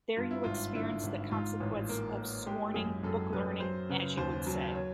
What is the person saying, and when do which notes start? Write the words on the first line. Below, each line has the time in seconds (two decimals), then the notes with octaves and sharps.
There you experience the consequence of scorning “book-learning,” as you would say.
0.17 G2 F4
0.31 E4
0.44 G#1 F4
0.74 D3 E4
1.03 G#1
1.31 G#2 F4
1.60 A1
1.89 A#3
2.17 A#3
2.46 G#3 G4
2.74 F#2 G#4
3.03 F#2 A4
3.33 F#2 B4
3.60 F#3 C5
3.90 C#3 B4
4.17 D#2 C5
4.46 F#3
4.75 C#5